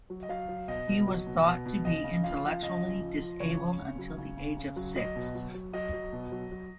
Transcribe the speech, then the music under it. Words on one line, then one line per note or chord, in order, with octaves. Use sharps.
He was thought to be intellectually disabled until the age of six.
F#3
D#5
F#3 F5
F#3
B2 D#5
B2
F#3
B2
B2
B2
C#3 D#5
C#3
F3 F5
F3
C#3 D#5
F3
F3
F3
C#3 C#5
C#3
C#3
F#3
C#3
C#3
C#3
F#3
F#3 D#5
B2
F#3
F#3
F#3 D#5
F#3
B2
F#3
F#3